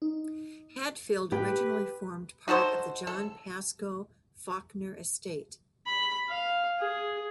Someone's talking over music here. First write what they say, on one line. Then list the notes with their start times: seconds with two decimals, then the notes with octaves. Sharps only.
Hadfield originally formed part of the John Pascoe Fawkner estate.
0.02 D#4
1.32 G4 B4
2.48 D#4 F#4 A4 C5
3.07 A4
5.87 B5
6.29 F5
6.79 G#4